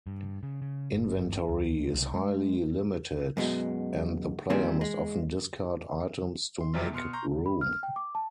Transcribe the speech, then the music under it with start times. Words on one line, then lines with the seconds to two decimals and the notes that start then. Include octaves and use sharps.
Inventory is highly limited, and the player must often discard items to make room.
0.07 G2
0.43 C#3
0.62 C#3
0.93 G1
1.48 D2
1.94 C2
2.14 G#3
3.37 F#2 B2 G#3
4.50 A#2 D#3 G3 A#3 C4 G#4
4.81 G#3
6.61 C6
6.74 C3 E3 F#3 G3 F4
6.93 B2 C6 F6 C#7
7.13 A#5 C6 C#6 G6
7.46 B5
7.61 F6
7.83 G5
7.96 D6
8.15 A5